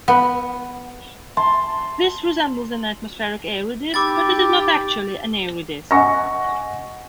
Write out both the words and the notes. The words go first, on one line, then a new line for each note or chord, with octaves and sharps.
This resembles an atmospheric Airy disc but is not actually an Airy disk.
B3
A5 C6
D#4 G4 B5 D6 E6 A6
D#5 F#5 G#5 C#6 A#6